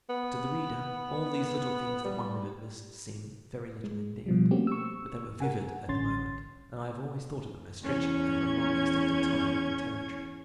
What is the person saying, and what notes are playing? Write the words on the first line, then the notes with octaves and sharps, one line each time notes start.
To the reader all these little things that one remembers seem very little indeed, but they were vivid at the moment, and I have always thought of them as stretching over a long extent of time and territory.
B3
G3
G#3
B2 F3 G3
A3 A#3 C4 C#4 F#4 G4
C#6 E6
A#4 F#5 G#5
A1 D3 C#4 C6 A6
E2 C#4 C#6 G#6